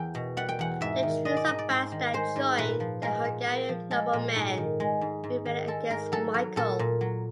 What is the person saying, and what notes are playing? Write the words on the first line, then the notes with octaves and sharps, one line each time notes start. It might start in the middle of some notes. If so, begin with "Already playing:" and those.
The troops of Basta joined the Hungarian noblemen rebelling against Michael.
Already playing: E2 G5
B2
G3 F#5
G5
E2 F#5
G#2 E5
D#3
G#3 D#5
D5
G#2 D#5
D5
G#2 C5
D#3
G#3 C5
G#2
A#2 B4
F3
G#3 A#4
A#2
A#2
F3
G#3 A4
A#2
G#2
D#3
G#3
G#2
G#2
D#3
G#3 A4
G#2 A#4
F#3 A4
F#3
A#2 A4
A#2
F#3